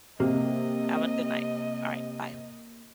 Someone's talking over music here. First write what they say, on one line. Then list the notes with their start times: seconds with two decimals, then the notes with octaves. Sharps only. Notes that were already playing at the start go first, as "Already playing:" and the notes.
Have a good night. Alright, bye.
0.20 C3 A#3 D#5